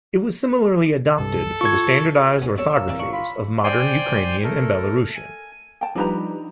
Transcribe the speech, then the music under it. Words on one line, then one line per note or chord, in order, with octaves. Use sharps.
It was similarly adopted for the standardised orthographies of modern Ukrainian and Belarusian.
C2 G2 A4
F4 C#6 G#6
B3 C#4
B1 C#5 D5 E6
A#3
C2 E3 D5
D4 C#6
F4 B5
C5 D5 G5 G#5 C6
A3 A4 A#4
G#5
G5 A5
F3 G3 D4 D#4 B4 A#5